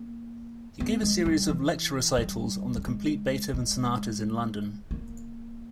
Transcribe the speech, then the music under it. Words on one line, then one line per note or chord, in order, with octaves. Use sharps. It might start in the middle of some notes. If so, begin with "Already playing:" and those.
He gave a series of lecture-recitals on the complete Beethoven sonatas in London.
Already playing: A#3
B3
G#3
G3
E3
G3
G3
G#3
G#3
A#3